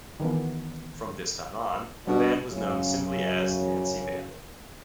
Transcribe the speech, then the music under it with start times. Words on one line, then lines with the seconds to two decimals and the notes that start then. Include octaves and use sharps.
From this time on, the band was known simply as Nancy Vandal.
0.20 D#3 E3 B3
2.07 B2 G3 D4
2.50 F#2 C#3